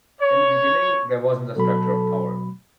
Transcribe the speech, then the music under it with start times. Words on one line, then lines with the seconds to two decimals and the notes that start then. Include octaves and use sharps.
In the beginning, there wasn't a structure of power.
0.21 C#5
1.56 B2 F#3 A4 B5